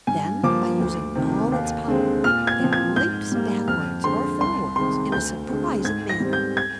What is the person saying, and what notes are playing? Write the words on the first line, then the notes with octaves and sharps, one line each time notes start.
Then, by using all its power, it leaps backwards or forwards in a surprising manner.
G2 G#5
F3 A#3 D6
D2
C3 D#3
D#2
D3 G#3 C4
A#2 F6
G#6
F3 C4
G#6
G#2 G6
G3 A#3
F2 F6
D3 G#3 C4 C6
C2 C6
C3 D#3 G#3 C6
D2 G6
D3 G#3 C4
G#2 G#6
A#6
G3 C4
G6
G#6